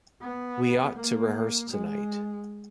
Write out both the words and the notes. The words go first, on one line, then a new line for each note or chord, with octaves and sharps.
We ought to rehearse tonight.
B3
A#3
G#3